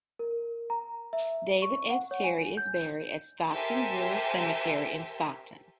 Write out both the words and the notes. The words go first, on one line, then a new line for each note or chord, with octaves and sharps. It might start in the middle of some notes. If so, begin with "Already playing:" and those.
David S. Terry is buried at Stockton Rural Cemetery in Stockton.
A#4
A#5
E5
C#6
F#5
C#5
G#5
G6
G4 A4 A#4 C5 E5 G#5